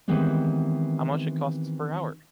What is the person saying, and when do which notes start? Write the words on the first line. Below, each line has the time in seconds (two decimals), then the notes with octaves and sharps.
How much it costs per hour?
0.08 D#3 E3 G3 G#3 B3 C4